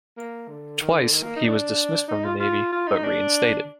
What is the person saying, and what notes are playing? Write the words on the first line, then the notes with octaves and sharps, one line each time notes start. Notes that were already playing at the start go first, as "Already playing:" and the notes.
Twice, he was dismissed from the Navy, but reinstated.
A#3
D3
D#3
D3
D#3
A#3
D#4
D4
D#4
F4
F4
F4
D#4
D4